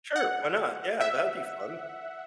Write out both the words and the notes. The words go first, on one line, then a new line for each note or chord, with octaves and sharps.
Sure, why not, yeah that would be fun.
F#5
E5